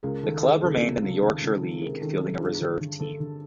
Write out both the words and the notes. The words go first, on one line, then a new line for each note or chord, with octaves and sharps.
The club remained in the Yorkshire League, fielding a reserve team.
C#2 G#4 A#4
D#3 A4
A4
D#3 G#4
C#2 A4
C3
C#2
D#3
C#2
D#3
C3 G#4 A#4
D#3 A4
C3 A4
G2 G#4
D3
D3
D3 A4
D3